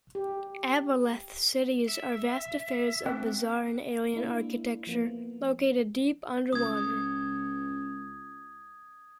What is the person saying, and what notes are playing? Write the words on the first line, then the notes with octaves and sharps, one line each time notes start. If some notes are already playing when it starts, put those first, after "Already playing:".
Aboleth cities are vast affairs of bizarre and alien architecture, located deep underwater.
G4
E5
C4
A#3 D4 E4
F3 A#3 B3
C#2 D#6 G#6